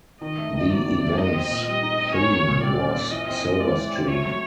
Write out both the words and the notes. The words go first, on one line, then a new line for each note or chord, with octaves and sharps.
The event's theme was "Silver Streak".
D#3 D#5
A3
D#3
F#3 D5
D#3
A3
D#4 D#5
C4
A#2
G3 D#5
D#4
C4
C#4 C#5
A#3
A#2
G3 D5
C#4
A#3
E3 D#5
C4
E3
G#3 D5
E3
C4
A3 C#5
F#3